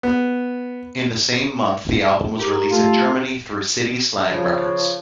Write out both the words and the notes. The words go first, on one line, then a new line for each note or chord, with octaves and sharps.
In the same month the album was released in Germany through City Slang Records.
B3
G4 A#4
A3 F4 A4
C#3 F3